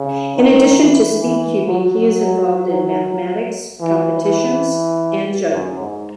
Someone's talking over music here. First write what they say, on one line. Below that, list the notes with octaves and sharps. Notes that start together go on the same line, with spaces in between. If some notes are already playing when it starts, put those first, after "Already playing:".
In addition to speedcubing, he is involved in mathematics competitions and juggling.
Already playing: C#3
D#3
E3
E3
F#3
E3
E3
F#2
G#2